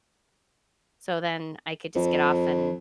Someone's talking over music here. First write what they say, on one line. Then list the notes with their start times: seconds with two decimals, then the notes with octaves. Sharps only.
so then, I could just get off and,
1.95 F2